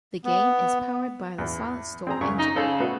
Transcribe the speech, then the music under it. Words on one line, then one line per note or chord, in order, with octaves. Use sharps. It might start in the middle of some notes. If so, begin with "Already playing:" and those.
The game is powered by the Silent Storm engine.
B3
E2
C4 G#4 A#5
F#2 C#3 C#6
D#4
C#3 A4 C5
A3 B3 F#4